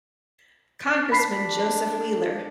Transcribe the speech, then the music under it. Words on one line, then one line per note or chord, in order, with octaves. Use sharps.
Congressman Joseph Wheeler.
D4 B5 B6 C7